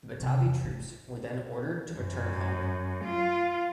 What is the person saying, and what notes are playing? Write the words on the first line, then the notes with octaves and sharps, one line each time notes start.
The Batavi troops were then ordered to return home.
C3
E2
A2
F#2
F4